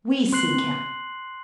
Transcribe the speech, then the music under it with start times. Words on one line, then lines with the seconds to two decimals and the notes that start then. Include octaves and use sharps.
We seek him.
0.32 C4 C6 F#6 C7 F#7
0.43 B3
0.54 C4
0.64 B3